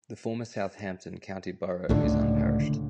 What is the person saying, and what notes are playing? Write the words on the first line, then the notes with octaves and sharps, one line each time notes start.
The former Southampton County Borough is unparished.
C#2 A2 D3